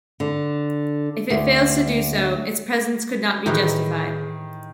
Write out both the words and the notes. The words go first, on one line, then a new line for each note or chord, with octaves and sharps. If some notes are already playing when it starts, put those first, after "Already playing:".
If it fails to do so its presence could not be justified.
D3
D2
A2 D#3 E3 D#4 G#4